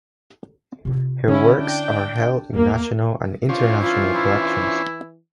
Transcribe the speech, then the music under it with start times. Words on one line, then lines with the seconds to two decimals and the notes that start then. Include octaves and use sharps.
Her works are held in national and international collections.
0.85 C3 F4
1.28 D3 C#4 E4
1.60 D4 G5
2.54 E2 A#3
3.49 C#4 D4 F4 C5
3.81 E3 E4 F4
4.14 E4